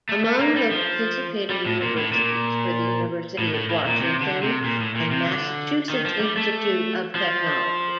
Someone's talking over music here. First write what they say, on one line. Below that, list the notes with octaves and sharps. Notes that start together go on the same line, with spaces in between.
Among the participating universities were The University of Washington, and Massachusetts Institute of Technology.
A3
A3
A#3
G3
F3
G3
A2
A#2
A2
A#2
A2
A2
A2
A#2
C3
D3
C3
A#2
A2
A#2
C3
D3
D#3
F3
G3
A3
F3